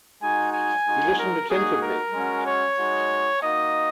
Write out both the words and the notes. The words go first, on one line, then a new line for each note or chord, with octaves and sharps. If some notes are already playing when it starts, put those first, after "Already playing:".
He listened attentively.
G#3 D#4 F#4 G#5
G#5
G#3 D#4 F#4
A#4
A#3 D#4 F#4 G#4
A#4
G#3 C#4 F#4
C#5
G#3 D#4 F#4
A#3 D#4 F#4 D#5